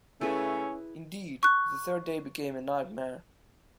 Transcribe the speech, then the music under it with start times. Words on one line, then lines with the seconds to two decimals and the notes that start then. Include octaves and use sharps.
Indeed, the third day became a nightmare.
0.21 C#3 A3 C#4 E4 G#4 B4
1.43 C#6 F#6